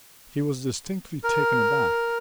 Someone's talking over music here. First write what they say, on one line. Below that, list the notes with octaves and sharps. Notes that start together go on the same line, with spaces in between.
He was distinctly taken aback.
A#4